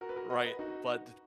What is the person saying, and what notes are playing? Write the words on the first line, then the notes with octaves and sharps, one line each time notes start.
Right. But d
F#4 A#4
B4
F#4 A#4
D#5 F#5
B4 D#5
D#4 F#4